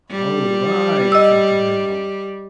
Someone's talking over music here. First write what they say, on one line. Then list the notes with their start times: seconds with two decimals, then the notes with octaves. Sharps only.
"All right," thought the Devil.
0.11 G3
1.12 D#5 E6